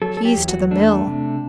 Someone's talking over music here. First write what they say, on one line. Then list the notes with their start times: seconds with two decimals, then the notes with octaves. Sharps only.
"He's to the mill."
0.02 F#3 A4
0.17 A4
0.25 G4
0.36 E2
0.49 F#4
0.71 A3 D4
1.07 C3